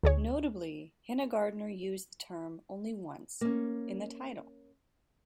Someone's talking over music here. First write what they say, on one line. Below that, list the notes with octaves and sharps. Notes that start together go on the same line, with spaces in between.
Notably, Hinegardner used the term only once: in the title.
D2 G#4 C#5
A#3 C#4